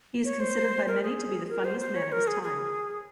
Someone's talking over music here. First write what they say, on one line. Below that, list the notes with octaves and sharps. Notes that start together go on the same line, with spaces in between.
He is considered by many to be the funniest man of his time.
C#5
C5
A#4
G#4
A#4
C5
C5
C#5
A#4
G#4
G#4